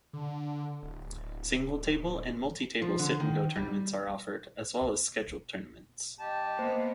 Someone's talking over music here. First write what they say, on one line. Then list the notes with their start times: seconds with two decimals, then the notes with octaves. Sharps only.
Single-table and multi-table sit n' go tournaments are offered as well as scheduled tournaments.
0.13 D3
0.83 D1
2.82 F3
2.99 D3
3.20 D#3
3.56 G3
6.20 G4 D#5 A5
6.59 A#3 B3 C5